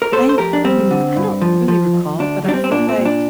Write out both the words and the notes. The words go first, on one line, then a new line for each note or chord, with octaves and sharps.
I hmm, I don't really recall, but I feel like
A#4
A3 A4 C5
C5
F2 G4 A#4
D4
G3 C4
D3
G2
F3
F3
F2
D2 D4
G3 D4
C4
C4
A#2 D4
C4
A#2
D4